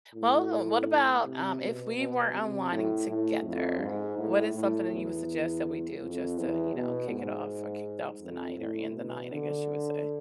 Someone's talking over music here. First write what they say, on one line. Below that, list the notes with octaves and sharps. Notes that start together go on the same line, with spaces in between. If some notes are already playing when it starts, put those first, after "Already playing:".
Well, what about, um, if we were unwinding together, what is something that you would suggest that we do just to, you know, kick it off or kick off the night or end the night, I guess you would say?
A2
C3
B2
B2
C3
A2
A2
F2
G#2
A2
A2
E2
F2
E2
B2
G#2
F2
A2
B2
D3